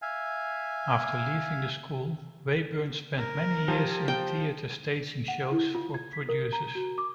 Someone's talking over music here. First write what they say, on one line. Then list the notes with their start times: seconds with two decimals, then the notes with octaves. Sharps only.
After leaving the school, Wayburn spent many years in theater staging shows for producers.
0.02 E5 F5 G#5
3.18 A#4
3.68 F3 G4 G#5
4.08 G5
5.28 F#5
5.52 E4
5.75 F4
5.94 G#6
6.13 B6
6.29 A#4
6.53 A#5
6.75 F#4
6.98 D6